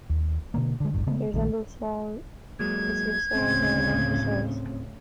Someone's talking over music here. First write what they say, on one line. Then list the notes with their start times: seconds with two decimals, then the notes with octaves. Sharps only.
They resemble small plesiosaurs or nothosaurs.
0.10 D#2
0.54 B2 D3 A#3
0.80 D3 G#3
0.94 D1 G1 G2
1.07 C#3 G#3 A3 B3
1.34 A#1 D#3 G3 G#3
2.59 F#3 G#3 A#3 G#6
3.35 D2 A2 C#3 C4 C#4 C5